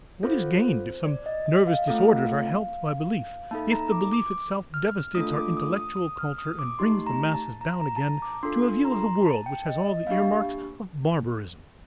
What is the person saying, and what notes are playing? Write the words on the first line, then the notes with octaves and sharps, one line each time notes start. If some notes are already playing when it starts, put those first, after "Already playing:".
What is gained if some nervous disorders are helped by belief, if the belief itself devastates our intellectual culture and brings the masses down again to a view of the world which has all the earmarks of barbarism?
C4 F4 A4 C5
D5
D#5
D#5
F5
A3 C4 F4 A4
A#3 D#4 A4 A5
A#5
D6
D6
F6
A3 D4 F4 A4 D#6
D6
D#6
D#6
D#6
F6
D#6
D6
A3 D#4 G4 C6
A#5
A5
A#5
A#5
A5
A#5
D6
D4 F4 A4 C6
A#5
C6
A#5
A5
G5
D#5
D#5
A#3 D4 G4 F5